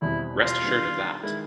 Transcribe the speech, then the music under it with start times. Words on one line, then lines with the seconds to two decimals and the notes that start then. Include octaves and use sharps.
Rest assured of that!
0.01 E2 B2 G3 C4 E4
0.43 F4
0.63 D#3 G3 B3 D4
1.23 D#3 G#3 E4